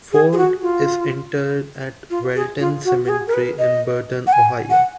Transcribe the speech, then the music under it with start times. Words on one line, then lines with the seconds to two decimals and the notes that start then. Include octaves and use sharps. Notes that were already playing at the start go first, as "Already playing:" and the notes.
Ford is interred at Welton Cemetery in Burton, Ohio.
0.12 G#4
0.33 G#4
0.37 F#4
0.62 F4
2.10 F4
2.36 G#4
2.60 F4
2.85 F#4
3.05 F#4
3.09 G#4
3.28 A#4
3.34 B4
3.59 D#5
4.27 F#5
4.33 G#5
4.70 F#5